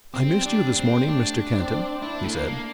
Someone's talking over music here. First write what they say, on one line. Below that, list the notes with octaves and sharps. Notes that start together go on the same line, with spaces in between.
"I missed you this morning, Mr. Kenton," he said.
G3 C4
D4
C4
A3 D4
C4
D4 E4
A3
A#3 D4